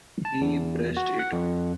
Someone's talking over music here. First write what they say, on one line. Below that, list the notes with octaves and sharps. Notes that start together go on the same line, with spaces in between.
He brushed it off.
A5
E2
F#4
F#5
F2